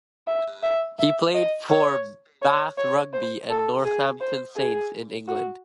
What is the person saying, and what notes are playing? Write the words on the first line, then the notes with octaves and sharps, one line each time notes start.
He played for Bath Rugby and Northampton Saints in England.
E5
E5
E5
D#5
C#5
C#5
C#5
C5
A4
G#4
C5
G#4
F#4